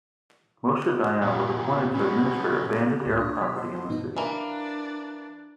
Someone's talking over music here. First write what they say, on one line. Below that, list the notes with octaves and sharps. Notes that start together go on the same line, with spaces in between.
Moshe Dayan was appointed to administer abandoned Arab property in the city.
E2 A#2
B2 F#3 C#4
C#2 G#2
D4
B2 F#3 A5 F6 B6
C5 D#5 F#5 A5 B5 C6
G2 B2 E3 B3 D#4
E3 A#3 D4